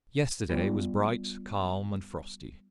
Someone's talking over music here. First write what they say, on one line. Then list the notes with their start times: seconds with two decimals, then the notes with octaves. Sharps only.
Yesterday was bright, calm, and frosty.
0.49 G3 B3 F4 D5